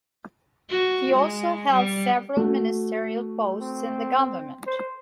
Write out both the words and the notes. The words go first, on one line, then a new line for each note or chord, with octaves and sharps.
He also held several ministerial posts in the government.
F#4
G#3
G3
A3 F#4
C4
C5